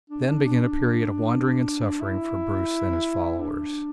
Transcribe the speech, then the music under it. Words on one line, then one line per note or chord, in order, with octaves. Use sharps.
Then began a period of wandering and suffering for Bruce and his followers.
D4
D4
D4
D4
E4
D4